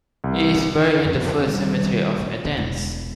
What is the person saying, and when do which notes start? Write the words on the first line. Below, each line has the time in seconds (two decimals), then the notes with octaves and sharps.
He is buried in the First Cemetery of Athens.
0.24 C2
1.04 F2
1.45 D#3 G3
2.18 A#1
2.57 E1 E4